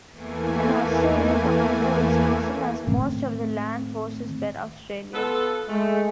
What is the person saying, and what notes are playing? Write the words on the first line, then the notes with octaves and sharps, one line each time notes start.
An Australian commander was chosen as most of the land forces were Australian.
E2 E3 A3 A#3 G#5
A2 D#3 A3 C4
B3 F4 A4
G#3 A3